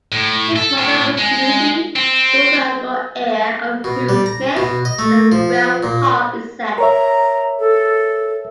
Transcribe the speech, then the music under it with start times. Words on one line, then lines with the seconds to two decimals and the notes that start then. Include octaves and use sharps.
His mother was Lucy, daughter and co-heir of Hugh Smith of Weald Hall, Essex.
0.12 A2
0.56 A4
0.78 A2
1.18 G#3
1.96 C4
3.84 B2
4.09 G3
4.26 A#5
4.57 B2
4.85 D#5
4.99 A3
5.32 F3
5.83 A#2
6.78 A#4 C#5 E5 A#5
7.59 A4